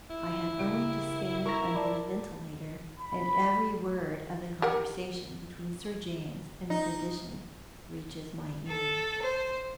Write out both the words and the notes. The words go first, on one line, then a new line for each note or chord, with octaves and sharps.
I have only to stand under the ventilator, and every word of the conversation between Sir James and the physician reaches my ears.
E4
C#3 A#3 G4 D7
A#4 A#5 C#6 A#6
D5 A5 B5
B5
G4 A#4 F#5
D#4
A4
C5